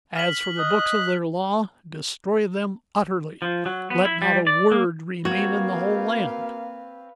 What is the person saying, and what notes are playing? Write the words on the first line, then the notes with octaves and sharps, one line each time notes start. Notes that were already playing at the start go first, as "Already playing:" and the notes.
'As for the Books of their Law, destroy them utterly; let not a word remain in the whole land.
F6 B6 F#7
D#5 F#6
F3
F#3
B3
E4
G3
D5
A#3
A#3 C4 F#4 B4 C#5 F5